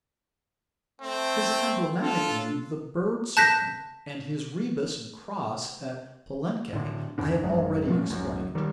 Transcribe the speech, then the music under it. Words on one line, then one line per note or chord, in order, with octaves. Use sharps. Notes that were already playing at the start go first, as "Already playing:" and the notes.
His emblematic name, the Bird-Serpent, and his rebus and cross at Palenque, I have already explained.
A3 C4
D4 F4 A4
A5 F#6 G6 A#6 B6
A2 D3
E2 G2 C#3 D4
A1 F#2 F#3 G#3
A2 F3 A3 C#4
D1 C#2 F#2
D#3 G3